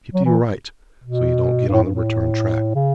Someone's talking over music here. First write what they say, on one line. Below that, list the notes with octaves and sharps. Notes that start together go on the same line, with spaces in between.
Keep to your right so you don't get on the return track.
F#3
E3
B2
G2
A2
G2
A2
C#3